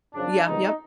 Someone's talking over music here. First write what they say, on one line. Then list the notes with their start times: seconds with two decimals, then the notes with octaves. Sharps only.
Yeah, yep.
0.14 F#2 C#3 F3 D4
0.45 C#2 C3 D#3 G#3 B3 D#4